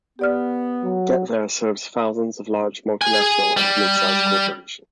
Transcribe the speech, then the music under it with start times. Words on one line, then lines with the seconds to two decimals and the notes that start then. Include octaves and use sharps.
GetThere serves thousands of large multinational and mid-size corporations.
0.19 B3 G4 D5 F6
0.84 F#3
3.02 G#4 G#5
3.57 G3